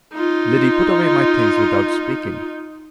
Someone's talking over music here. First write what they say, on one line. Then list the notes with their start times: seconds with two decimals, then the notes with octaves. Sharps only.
Liddy put away my things without speaking.
0.14 D#4 F4